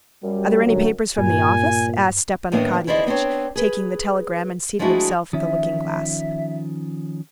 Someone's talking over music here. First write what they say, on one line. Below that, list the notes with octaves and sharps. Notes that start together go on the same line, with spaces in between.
"Are there any papers from the office?" asked Stepan Arkadyevitch, taking the telegram and seating himself at the looking-glass.
F#2 G3
D2 G2 F#3
G2 A#2 G#5
A2 D#3 A#3 B3 D4
E2 E4 C5 D5 D#5
B3 C4 D4 C#5
G#4 B4
F3 G#3 A3 D4 E4 F#4
D#3 F3 C#4 E5